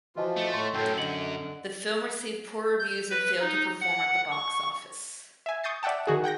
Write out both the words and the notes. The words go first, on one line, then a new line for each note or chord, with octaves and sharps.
The film received poor reviews and failed to perform at the box office.
E3 F3 F4 F#4 D#5 A5
A3
A2 C6 C#6
F#2 A2 A4 G5
D3 D#5 C#7 F#7
G6
B4
D#4
F#5
C#6
E5 G#5
C#6 D#6 G6 A6 C7
D5 E5 F#5 G5 A5
D#3 F#4 G#4
F#5 G5 G6 A#6